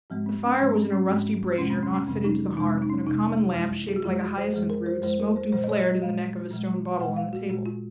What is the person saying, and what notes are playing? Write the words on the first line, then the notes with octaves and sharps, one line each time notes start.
The fire was in a rusty brazier, not fitted to the hearth; and a common lamp, shaped like a hyacinth-root, smoked and flared in the neck of a stone bottle on the table.
G#2 F3 G#3 C4
C4
C#4
G#2 F3 G#3 C#4
C4
C#4
G#2 F3 G#3 C4
F2 C3 F3 G#3 C#4
C4
C#4
C#4
F2 C3 F3 G#3 C4
D#4
C#4
F2 C3 F3 G#3 D#4
C4
D#4
C#4
F2 C3 F3 G#3 D#4
F#2 F3 G#3
G#4
F#4
F#2 F3 G#3 F4
F#4
C5
F#2 F3 G#3 G#4
A#4
C5
F#2 F3 G#3 C5
A#4
C5
A#2 F3 G#3 C5
D#5
C#5
D#5
A#2 F3 G#3 F5
A#2 F3 G#3
A#2 F3 G#3 F#5
F5
F#4
A#2 G#3 F#4
F4